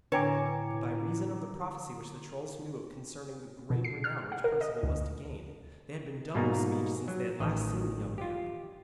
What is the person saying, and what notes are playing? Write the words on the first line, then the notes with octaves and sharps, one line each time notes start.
But by reason of the prophecy which the trolls knew of concerning the great renown which Perceval was to gain, they had been dumb of speech since they had last seen the young man.
A2 D3 B4 C#5 G5 G#5 A#5 D6
B2
C7
F6
F#5
A#4
D#5
D2
G#2 B2 G3 A#3 D#4 F4
F#3
A1 D#3 D#5
F4 G4